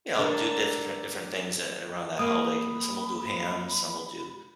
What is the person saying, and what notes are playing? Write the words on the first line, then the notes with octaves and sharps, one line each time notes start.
you know, do differen different things eh around the holiday. And then some will do ham, some will do,
D3 D4 A#4
A#3 B5 D#6